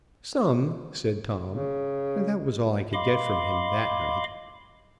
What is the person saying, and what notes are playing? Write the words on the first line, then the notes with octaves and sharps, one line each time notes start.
"Some," said Tom; and that was all I could get from him that night.
C#3
D#5 F5 B5 C6 D6